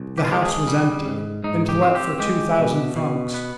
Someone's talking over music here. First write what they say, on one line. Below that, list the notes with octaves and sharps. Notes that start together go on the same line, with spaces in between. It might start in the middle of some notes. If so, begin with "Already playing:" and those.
The house was empty, and to let for two thousand francs.
Already playing: C2
G4
F4
G#3 G4
G#4
G3
G#2
G#2 D#4
G4
C4
G4
G#3 G4
B2
B2
B3